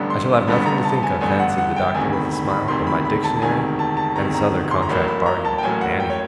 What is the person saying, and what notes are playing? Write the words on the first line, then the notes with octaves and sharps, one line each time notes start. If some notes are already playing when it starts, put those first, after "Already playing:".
'I shall have nothing to think of then,' said the Doctor, with a smile, 'but my Dictionary; and this other contract-bargain--Annie.'
Already playing: A1 G2 D3 G3 B3
C6
A1 G2 D3 G3 B3 B5
A#5
A5
G#5
A1 G2 D3 G3 B3 G#5
F#5
F#5
G5
E1 D2 C3 D#3 G#5
B5
B5
B5
E1 D2 C3 D#3 C6
B5
B5
A5
E1 D2 C3 D#3 G#5
A5
A5
E1 D2 C3 D#3 A#5
A#5
C6
A#5
A1 A2 F#3 A#3 B5
B5
A#5
A5
G5
A1 A2 F#3 A#3 G#5
F#5
G5
C#5